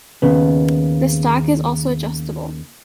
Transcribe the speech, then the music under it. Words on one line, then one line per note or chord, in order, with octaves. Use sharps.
The stock is also adjustable.
D#2 C#3 B3